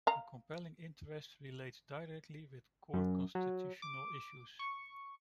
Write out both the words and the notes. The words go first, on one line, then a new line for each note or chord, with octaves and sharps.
A compelling interest relates directly with core constitutional issues.
F5 A#5
F#2
F#3
D6
C#6